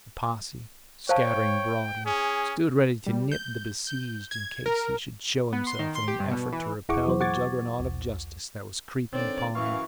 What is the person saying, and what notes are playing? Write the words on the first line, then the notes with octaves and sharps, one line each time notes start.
The posse, scattering broadly, stood ready to nip the besieged in case he should show himself in an effort to repel the juggernaut of justice that was creeping upon him.
C5 C#5 F5 G5 A5
C#4 G#4
G3
G6
G6
G#6
A#4
B3
C6
D#3
C6
G4
G2
B2
E3
E2 E4 G#4 F#5 C#6 D6
E3 F#3 C5
F#5 C#6 D6 G#6 A6
B1 E2
D3 D#3 C4 C#5 D5
F#2 E3 F5 C#6